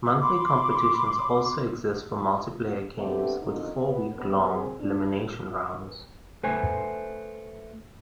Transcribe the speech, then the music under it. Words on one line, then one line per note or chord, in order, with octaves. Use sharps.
Monthly competitions also exist for multiplayer games with four week-long elimination rounds.
B5 C6 D6
A3 B3 C4 D4 G4
F#2 D3 F3 C4 D#4
B3
D2 G2 C3 G3 B3
C4 G#4
D4
A3 B4 C5 G#5